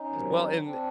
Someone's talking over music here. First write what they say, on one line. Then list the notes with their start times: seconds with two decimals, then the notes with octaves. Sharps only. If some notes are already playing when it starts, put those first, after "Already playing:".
Well, and
Already playing: C#4 D#4
0.09 E2 C3 D#3 F#3
0.64 C4 D4